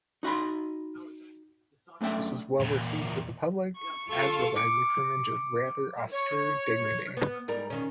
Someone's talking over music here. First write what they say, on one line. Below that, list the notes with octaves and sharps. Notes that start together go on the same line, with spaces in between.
This was well-received with the public, as was Isaacs's image of rather austere dignity.
D#4 F#4 D#5 B5 C6
F#2 A3 D4 E5 G5
E2 A#2
C#6
F4 A4 F5
D6 C#7 D7
C#5
B3
G#2 G3 A#4
D#3 C#4